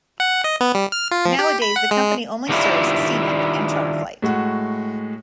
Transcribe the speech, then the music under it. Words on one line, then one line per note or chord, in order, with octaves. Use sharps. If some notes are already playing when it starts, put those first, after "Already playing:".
Nowadays, the company only serves scenic and charter flight.
F#5
D#5
B3
G3
F6
F4
F3
G4
B5
F#5
G#3
D#3 G3 A3 D4 E4 F4
A2 G#3 F#4